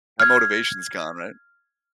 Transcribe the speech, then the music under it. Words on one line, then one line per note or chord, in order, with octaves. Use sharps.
that motivation is gone, right?
F6 G#6